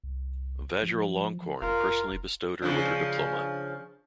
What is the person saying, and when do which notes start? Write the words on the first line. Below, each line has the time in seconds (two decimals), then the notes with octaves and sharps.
Vajiralongkorn personally bestowed her with her diploma.
0.04 C2
0.83 F3
1.62 F1 F4 A#4 F5
2.62 C#3 F3 D4